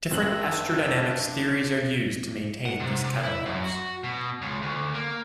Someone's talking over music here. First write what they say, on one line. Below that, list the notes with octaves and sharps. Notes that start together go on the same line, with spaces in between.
Different astrodynamics theories are used to maintain these catalogs.
F#1 D4 C5 E6 F#6 F#7
F#5
C3
E4
F#2
F#4
B2
C#2
D2
A#3